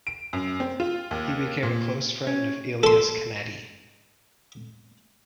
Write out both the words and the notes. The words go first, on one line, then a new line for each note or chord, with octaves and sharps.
He became a close friend of Elias Canetti.
D7
F#2
C4
F4
D#2
A#2
C#4
A4 C6